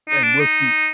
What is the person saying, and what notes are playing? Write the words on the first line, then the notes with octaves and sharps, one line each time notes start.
and will she m
D#4
D4
D#4